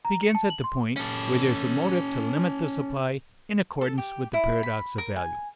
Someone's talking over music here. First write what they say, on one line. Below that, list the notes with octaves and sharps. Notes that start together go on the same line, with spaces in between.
It begins at the point where there is a motive to limit the supply in accordance with the paradox of value.
A#5
C#7
A5
F#7
C6
C#4 A4
A4
G4
E4
B5
A#4
G#5